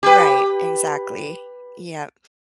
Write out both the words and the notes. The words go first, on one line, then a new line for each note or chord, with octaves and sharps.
Right, exactly, yep,
G4 B4